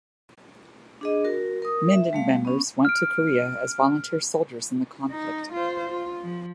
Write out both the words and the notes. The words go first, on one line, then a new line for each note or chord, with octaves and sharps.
Mindan members went to Korea as volunteer soldiers in the conflict.
D4 G#4 D#5
F#4 A#4
A#4 D#6
E5
G3 A3 F5
B3 C#4
F6 D7
D#4
F4 C5
F4
F3